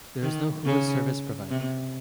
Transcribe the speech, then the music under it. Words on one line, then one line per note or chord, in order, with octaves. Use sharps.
There is no whois service provided.
D#3
C#3
C3